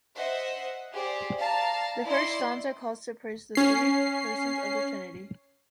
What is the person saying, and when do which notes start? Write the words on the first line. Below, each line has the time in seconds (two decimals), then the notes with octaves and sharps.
The first stanza calls to praise the three persons of the Trinity.
0.16 C5 D#5 E5 F#5
0.92 G4 G#4 C5 D5
1.37 D5 F5 A5 A#5
2.06 E4 D5 D#5 C6
3.55 C#4 C7